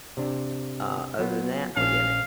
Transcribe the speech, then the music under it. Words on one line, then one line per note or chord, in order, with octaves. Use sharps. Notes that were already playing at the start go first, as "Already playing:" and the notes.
Uh, other than that, forget it.
C3 D4
F#3 B3 F4
A#1 C#4 F5 A5